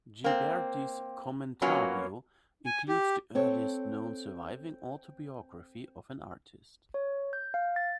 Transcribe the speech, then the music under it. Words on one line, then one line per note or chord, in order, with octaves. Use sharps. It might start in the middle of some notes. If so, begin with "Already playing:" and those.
Ghiberti's "Commentario" includes the earliest known surviving autobiography of an artist.
A#3 C4
F#3 A#3 B3 C#4 F4 F#4
G#5
G4
C4 A4 C#5
C#5
G6
F5
A6